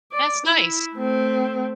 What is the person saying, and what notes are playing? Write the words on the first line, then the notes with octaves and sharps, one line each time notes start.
That's nice.
D5
E4
A3 C4